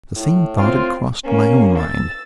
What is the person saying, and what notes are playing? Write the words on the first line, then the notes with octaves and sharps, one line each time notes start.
The same thought had crossed my own mind.
A2
C4 F4
A#3 C#4
E6 A6